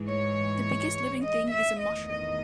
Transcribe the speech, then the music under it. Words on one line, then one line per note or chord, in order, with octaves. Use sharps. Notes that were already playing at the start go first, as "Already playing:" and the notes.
The biggest living thing is a mushroom.
Already playing: G#2 E3 G#3
C#5
D#5
E5
E2 D#3 A3 D#5
D#5